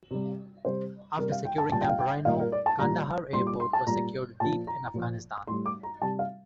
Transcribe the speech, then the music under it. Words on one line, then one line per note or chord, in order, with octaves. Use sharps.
After securing Camp Rhino, Kandahar Airport was secured deep in Afghanistan.
C3 G3
C3 G3 C5
C3 G3 A#4
F5
G5
A5
A#2 G3 A5
G5
F5
G5
A#2 G3 F5
A#4
D5
A5
A#2 G3 A#5
A#2 G3 C6
D6
C6
A5
A#2 G3 A#5
A#2 F3 A5
A#5
A#2 F3
A2 G3 C6
D6
A#5
C3 G3 A5
F5